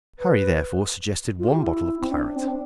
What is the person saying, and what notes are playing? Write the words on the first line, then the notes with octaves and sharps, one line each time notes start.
Harry therefore suggested one bottle of claret.
B4
F4
G4
F4
E4
C4
D4
C4
D4